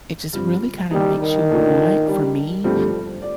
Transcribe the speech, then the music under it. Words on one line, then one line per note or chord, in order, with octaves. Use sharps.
it just really kinda makes you want, for me,
G2 F3 C4
D#3 G3 A#3 D#4
D#3
A#2 A3 D4 A4
G3 D4 G4 D5
G2 D3 F3 A3 C4 G4
D5